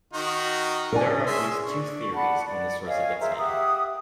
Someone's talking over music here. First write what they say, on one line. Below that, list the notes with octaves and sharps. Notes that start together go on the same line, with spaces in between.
There are at least two theories on the source of its name.
D#3 D#4 F#4
D4 A#4 D5 G#5
C#4 G#4 E5 C6
D4 C#6
D5 F#5 A5 B5
D5
C#5 D#5 F5 G#5
G#4 A#4 C5 E5
G4 E5 F#5 D#6